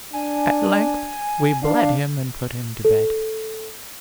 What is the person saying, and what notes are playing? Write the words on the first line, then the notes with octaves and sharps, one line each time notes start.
At length we bled him and put him to bed.
D4 G#5
D4 F5
A4